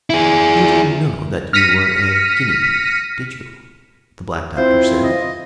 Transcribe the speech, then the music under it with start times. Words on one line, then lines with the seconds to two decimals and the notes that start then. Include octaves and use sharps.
"You didn't know that you were a guinea pig, did you?" the Black Doctor said.
0.10 E4 G#4
1.53 F6 A#6 B6 C#7 D#7
4.57 C4 E4 F4 C5
5.04 D#5